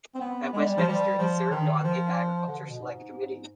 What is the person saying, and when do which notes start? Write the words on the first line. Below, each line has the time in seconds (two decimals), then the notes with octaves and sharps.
At Westminster, he served on the Agriculture Select Committee.
0.15 C4
0.21 B3
0.53 G#3
0.65 G3
0.77 F3
0.88 G3
1.18 F3
1.51 D#3
1.83 F3
2.48 D3
2.69 B2
2.80 G#2